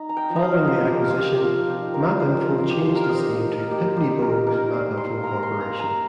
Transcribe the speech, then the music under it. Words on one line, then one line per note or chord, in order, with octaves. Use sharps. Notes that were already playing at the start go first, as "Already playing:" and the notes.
Following the acquisition, MapInfo changed its name to Pitney Bowes MapInfo Corporation.
Already playing: D#4
A#5
G5
F3
D#5
F5
F3 C5
G4
A#4
D#4 F4
G4
F3 F4
G4
D#4
A#4
F3 C5
A#4
F3
G4
C5
D#4 A#4
D#5
C5
A#3
A#4
D#4 G4
G4
D#4
A#4
D#4 A#4
C5
A#3
C6
A#3 A#5
C6
A#3 A#5
A#5